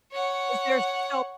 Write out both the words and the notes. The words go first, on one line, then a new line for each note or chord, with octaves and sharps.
'cause there's so
C#5 F#5